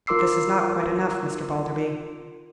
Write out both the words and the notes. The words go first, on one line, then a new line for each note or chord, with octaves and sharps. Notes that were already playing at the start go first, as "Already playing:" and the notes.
But this is not quite enough, Mr. Balderby.
F4 A#4 C6 D6 E6 C7